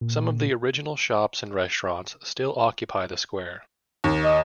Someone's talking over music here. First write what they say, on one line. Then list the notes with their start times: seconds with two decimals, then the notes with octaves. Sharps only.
Some of the original shops and restaurants still occupy the square.
0.01 A#2
4.04 D#2
4.24 D#5